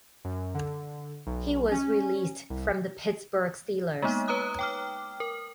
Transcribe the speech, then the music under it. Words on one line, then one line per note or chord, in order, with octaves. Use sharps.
He was released from the Pittsburgh Steelers.
F#2
D3
B1
C#4
C2
G#3 A#3 B3 D#4
B4 C#5 A#5 D#6 F#6
G5 D6 F6
A#4